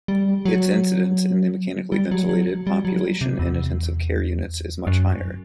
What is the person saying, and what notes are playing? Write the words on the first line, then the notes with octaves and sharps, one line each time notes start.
Its incidence in the mechanically ventilated population in intensive care units is much higher.
G3
F#3
G3
F#3
F#3
G3
F#3
C3
E2
F#2